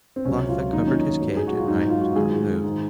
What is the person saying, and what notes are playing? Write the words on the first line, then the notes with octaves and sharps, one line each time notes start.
The cloth that covered his cage at night was not removed.
C4
C#2 C3 F#3 C#4
F4
D#2 D#3 F#3 D#4
C#4
D#4
G#2 F#3
G#4
F#4
F4
G#2 F#3 D#4
F4
F#4
G#2 D#3 G#3 G#4
G#2 D#3 G#3